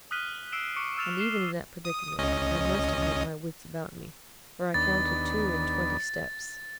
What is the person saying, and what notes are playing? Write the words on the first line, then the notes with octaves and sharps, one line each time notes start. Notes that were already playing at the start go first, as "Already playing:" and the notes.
And even in that predicament I must have had my wits about me, for I counted two-and-twenty steps.
D#6 F6 F#6 B6 D#7 G7
E6 C7 D7 E7 G7
C#6 D6 C#7 D7
E6 F6 A6 E7 F7
F6 C7 E7 G7
D#6
C#2 C#4 D#5
D#2 B3 D4 A6